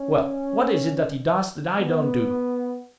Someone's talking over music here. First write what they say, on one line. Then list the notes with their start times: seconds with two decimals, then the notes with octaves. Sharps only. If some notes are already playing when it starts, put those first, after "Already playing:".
Well, what is it that he does that I don't do?
Already playing: C#4
1.79 B3